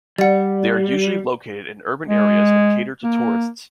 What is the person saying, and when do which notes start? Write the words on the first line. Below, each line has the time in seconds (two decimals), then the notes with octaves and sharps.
They are usually located in urban areas and cater to tourists.
0.18 G3 D5 F#5
2.07 G#3
3.04 A#3